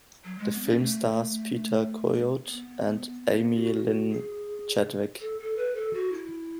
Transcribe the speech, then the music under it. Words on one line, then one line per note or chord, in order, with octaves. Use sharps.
The film stars Peter Coyote and Aimee Lynn Chadwick.
F#3
G#3
B3
C#4
A3
B3
F#4
G#4
A4
A4
B4
A4
F#4
E4